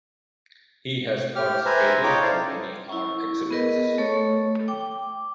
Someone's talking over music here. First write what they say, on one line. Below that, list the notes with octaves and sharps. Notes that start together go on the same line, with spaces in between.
He has participated in many art exhibits.
G4 F6
B4 C5 E5 G#5 A#5
D#4 F4 C#5 G5 A#5 D6
E4 A4 C5 D5 F5
E4 C#6
B3 G#4 A#4 B4 D#5
A3 A4 C#5 C#6
G5 D6